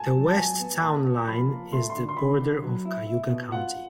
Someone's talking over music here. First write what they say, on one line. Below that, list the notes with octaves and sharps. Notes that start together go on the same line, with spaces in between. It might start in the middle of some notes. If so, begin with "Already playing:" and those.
The west town line is the border of Cayuga County.
Already playing: G#5 A5
F#3
A5
F#3 G#5
B3
A#3 A5
C#4
F3 B5
A#3
A3 C6
D3 C6
C6
D3 B5
D3
F#3
E4
E4
B2
F4 F#5